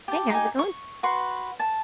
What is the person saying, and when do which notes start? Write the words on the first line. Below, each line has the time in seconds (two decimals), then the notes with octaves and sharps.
Hey, how's it going?
0.08 G4 A5
0.30 D#4 G4 G#5
0.59 C#6
1.03 F#4 B4 C6
1.59 A5